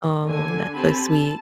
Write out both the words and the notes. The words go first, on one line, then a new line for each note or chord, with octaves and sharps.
Oh, that's so sweet.
D3 G#5
C4 G4 A4 G#5 A5 B5
A5